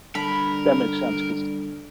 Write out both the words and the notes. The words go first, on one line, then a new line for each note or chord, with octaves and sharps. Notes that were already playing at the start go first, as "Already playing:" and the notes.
That makes sense 'cause
D3 G3 A#4 B5